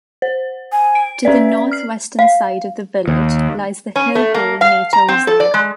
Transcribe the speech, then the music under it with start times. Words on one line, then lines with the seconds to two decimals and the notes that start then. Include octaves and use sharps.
To the north-western side of the village lies the Hill Hole Nature Reserve.
0.22 C5
0.72 G#5
0.95 D7
1.25 C#4 B4 D5 E5
1.72 F6 C7
2.19 F5
3.08 D#2
3.96 C#4
4.15 A3
4.34 A#3
4.61 F5
4.93 A#5
5.08 C4
5.27 A4
5.40 D5
5.54 G#3